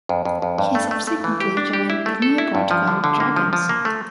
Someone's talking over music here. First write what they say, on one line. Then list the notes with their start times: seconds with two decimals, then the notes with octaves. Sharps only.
He subsequently joined the Newport Gwent Dragons.
0.09 F2
0.25 F2
0.42 F2
0.58 G2
0.75 A3
0.91 A3
1.07 A3
1.24 E3
1.41 G4
1.57 D4
1.73 G4
1.90 E4
2.06 A3
2.22 A4
2.38 E4
2.55 G2
2.71 F3
2.87 D3
3.04 D3
3.20 A#3
3.36 F3
3.53 F3
3.69 A#3
3.85 A3